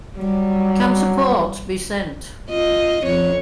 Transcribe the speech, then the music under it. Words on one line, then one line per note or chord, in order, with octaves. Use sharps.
Can support be sent?
F#3 G3
F4 D#5
F2 C#5